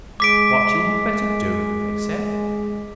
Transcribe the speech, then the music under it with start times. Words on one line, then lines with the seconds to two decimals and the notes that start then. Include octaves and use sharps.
'What you had better do?' they said.
0.20 G#3 D6 B6 D7